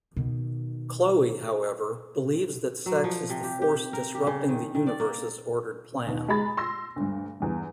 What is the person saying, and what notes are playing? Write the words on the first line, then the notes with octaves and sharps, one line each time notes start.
Chloe, however, believes that sex is the force disrupting the universe's ordered plan.
B2 D#3
F#3
F3
C3
G4
G4
A#4
G4
C#3
D#3
D#3
D5
A#3
D#2 B2
G#3 G#4 A#5 B5 A6
C6 E6 A#6
D2 G2
E2 G2